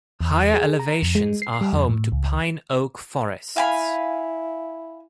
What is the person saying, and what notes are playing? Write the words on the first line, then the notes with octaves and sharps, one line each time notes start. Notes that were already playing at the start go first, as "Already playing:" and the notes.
Higher elevations are home to pine–oak forests.
E2
G#4
A#5
F2
G#3
C7
G3
F2
A2
C#2
E4 F5 G#5 B5